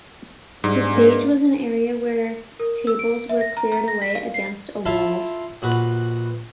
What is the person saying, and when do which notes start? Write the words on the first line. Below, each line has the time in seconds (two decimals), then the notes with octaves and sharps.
The stage was an area where tables were cleared away against a wall.
0.64 G#2 G3 G#3 D4 G#4
0.95 A#3
2.60 A#4
2.87 E6
2.99 D7
3.29 E5
3.41 A#6
3.57 A#5
3.72 A#5
3.88 A#6
4.02 B6
4.15 F5
4.34 C7
4.85 E4 F4 A4 E5 F5
5.62 A#1 F#4 B4